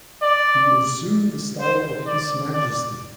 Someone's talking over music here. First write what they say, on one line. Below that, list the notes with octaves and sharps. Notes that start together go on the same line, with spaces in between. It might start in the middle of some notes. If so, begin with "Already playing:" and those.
He assumed the style of "His Majesty".
D5
C5
D5
D5